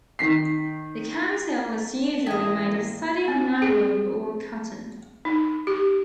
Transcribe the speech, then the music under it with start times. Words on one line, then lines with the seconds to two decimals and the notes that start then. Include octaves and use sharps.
The camisole is usually made of satin, nylon, or cotton.
0.19 D#3 B6 C7
2.26 A1 G#4 D#5 E5 G5 A5
2.69 A#3
3.28 C4
3.62 G#4
5.25 D#4
5.67 G4